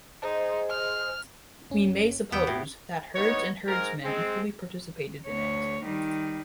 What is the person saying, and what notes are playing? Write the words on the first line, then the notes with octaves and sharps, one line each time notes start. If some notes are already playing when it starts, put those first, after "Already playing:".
We may suppose that herds and herdsmen equally participated in it.
D#4 G#4 C5 D#5
F6
G1 C#4
E2 B3 G5 E6 B6
A2 E5 G5
G2 B3 D#4 C#5
G#2 A#4
G#3 C4
D2 C#5
D#3 G3